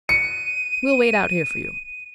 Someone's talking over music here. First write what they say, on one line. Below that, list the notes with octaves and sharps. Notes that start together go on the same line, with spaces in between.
"We'll wait out here for you."
C#7 D#7